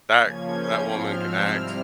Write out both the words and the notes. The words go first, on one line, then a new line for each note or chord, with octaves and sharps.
that that woman can act
C#3 F3 A#3 C#4 G#6
G6
G#2 F3 C4 F6
E6
C3 G3 C4 E4 F6